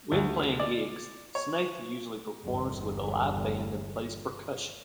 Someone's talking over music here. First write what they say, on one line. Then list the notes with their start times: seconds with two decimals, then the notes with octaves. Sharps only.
When playing gigs, Snaith usually performs with a live band and plays percussion.
0.12 D2
0.59 D5
1.35 C#5
2.43 G1 E2